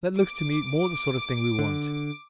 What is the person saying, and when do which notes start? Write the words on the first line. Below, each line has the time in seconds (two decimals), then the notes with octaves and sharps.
That looks to me more the sort of thing we want.
0.20 D6
1.59 D3